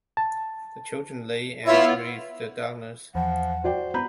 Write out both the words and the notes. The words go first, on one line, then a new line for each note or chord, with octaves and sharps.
The children lay and breathed the darkness.
A5
B3 E4 F4 C#5 E5
E2 F3 F#5
F#4 C5 D5 G5
B3 A#5 B5 G6